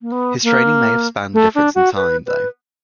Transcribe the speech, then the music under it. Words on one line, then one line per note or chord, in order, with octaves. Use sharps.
His training may have spanned the difference in time, though.
A#3
B3
A#3
A3
D4
F#4
B4
B4